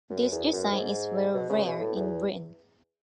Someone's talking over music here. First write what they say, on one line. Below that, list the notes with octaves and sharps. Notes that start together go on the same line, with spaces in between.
This design is very rare in Britain.
F#2
E2
F#2
G#2
B2
C#3
B2
A2
E2